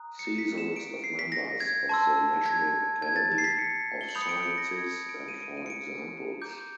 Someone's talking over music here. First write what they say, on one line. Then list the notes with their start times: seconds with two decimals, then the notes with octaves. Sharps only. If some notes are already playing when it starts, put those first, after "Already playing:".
See the list of members of the National Academy of Sciences and for examples.
Already playing: A#5 D#6 F#6
0.19 C#7
0.38 B6
0.58 E7
0.76 D7
1.04 C7
1.19 B6
1.32 A#6
1.60 G#6
1.89 A5 C6 E6
2.46 G#6
3.02 G#6
3.16 A6
3.38 C7
3.44 B6
3.59 C#7
4.01 G7
4.09 F#7
4.15 B5 D#6 G6 F7
4.22 C#7
4.29 D7
4.43 C#7
4.58 A#6
4.71 G#6
5.09 D7
5.28 D#7
5.42 D7
5.57 D#7
5.66 C#7
5.70 D7
6.42 A#5 D6 G6